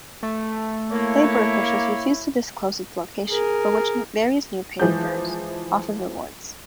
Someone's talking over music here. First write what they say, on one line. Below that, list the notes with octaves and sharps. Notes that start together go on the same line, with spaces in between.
Labour officials refused to disclose its location, for which various newspapers offered rewards.
A3
A#3 E4 C#5
G#4 A#4
E3 F3 G#3 G6